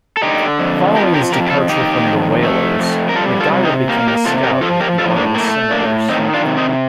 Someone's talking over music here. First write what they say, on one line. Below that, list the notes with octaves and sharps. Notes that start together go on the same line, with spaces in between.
Following his departure from the Whalers, McGuire became a scout with the Ottawa Senators.
A4
D3 D#4 G4
F2
F3 G4 A#4
G4 A#4
F2 G4 A#4
G4
F4 A4
D#3 D#4 G4
F2
A3
F2
A#4
G3 F4 A4
F4 A4
C3
D#4 G4
A#3 G4 A#4
G4 A#4
C3 F4 A4
G4 A#4
F3 F4 A4
G4 A#4
A2 F4 A4
A#3 D4
A3 A#3
A2 A#3 D4
D#3 C4 D#4
D4 F4
C3
C4 D#4